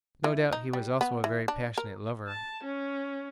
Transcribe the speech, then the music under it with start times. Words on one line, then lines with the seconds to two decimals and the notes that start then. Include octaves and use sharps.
No doubt he was also a very passionate lover.
0.24 E3
0.52 D#4
0.73 G3
1.01 B3
1.24 E3
1.48 D4
1.78 A#4
2.27 A5
2.64 C#4